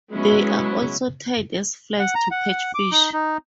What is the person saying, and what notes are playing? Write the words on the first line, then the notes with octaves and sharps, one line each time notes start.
They are also tied as flies to catch fish.
F#3 G#3 B3 C#4 E4 F#4
F#5
A#5
F#5
D6
D#4
D#4